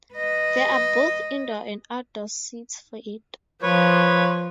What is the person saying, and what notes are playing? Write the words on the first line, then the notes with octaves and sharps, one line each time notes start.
There are both indoor and outdoor seats for it.
B4 D#5
F3 B4 C#5